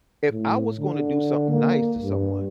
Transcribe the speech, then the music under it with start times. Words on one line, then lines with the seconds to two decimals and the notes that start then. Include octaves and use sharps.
if I was gonna do something nice to someone
0.31 A2
0.80 D3
1.50 A#3
2.02 G2